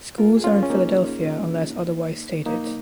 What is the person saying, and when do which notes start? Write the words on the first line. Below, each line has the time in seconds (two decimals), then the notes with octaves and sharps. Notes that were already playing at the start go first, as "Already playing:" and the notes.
Schools are in Philadelphia unless otherwise stated.
0.18 F4 A#4
0.37 G#4
0.44 C#4 F4
0.63 C#4
0.70 A#3 D#4
2.46 A#3 D#4